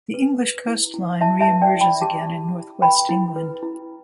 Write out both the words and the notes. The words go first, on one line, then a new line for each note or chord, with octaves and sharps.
The English coastline re-emerges again in North West England.
B4
B4
E4
E4
E4 E5 A5
E5 A5
B4
D5 G5
E4
G5 B5
G4 A5 D6
E4
E4
B4 G5 B5
E4
B4
E4